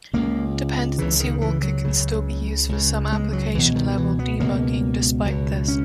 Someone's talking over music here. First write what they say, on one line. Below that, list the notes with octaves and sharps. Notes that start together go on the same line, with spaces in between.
Dependency Walker can still be used for some application level debugging despite this.
C#2 C#3 A#3
C#2 C#3 E3
D#3
E3
F#3
C#2 C#3
C#2 C#3
G#3
F#3
C#2 B2 E3
D#3
E3
B3
C#2 B2 A#3
C#2 B2
C#4